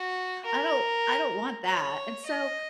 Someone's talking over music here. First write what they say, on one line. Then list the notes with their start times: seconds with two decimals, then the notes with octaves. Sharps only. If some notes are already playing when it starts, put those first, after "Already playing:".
I don't I don't want that," and so
Already playing: F#4
0.46 A#4
1.66 C#5
2.26 D#5